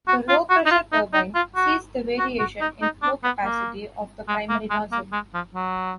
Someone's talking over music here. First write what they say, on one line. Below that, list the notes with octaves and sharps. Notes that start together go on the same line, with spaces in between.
The low pressure turbine 'sees' the variation in flow capacity of the primary nozzle.
F#4
F4
F#4
D#4
F4
D#4
D#4
F4
F#4
F#4
F#4
D#4
D#4
D4
B3
A#3
G#3
A#3
G#3
A#3
G#3
F3
F#3